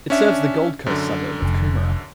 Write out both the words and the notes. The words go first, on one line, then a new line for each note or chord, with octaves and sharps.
It serves the Gold Coast suburb of Coomera.
C#4 D4 E5
F#2 D3
F1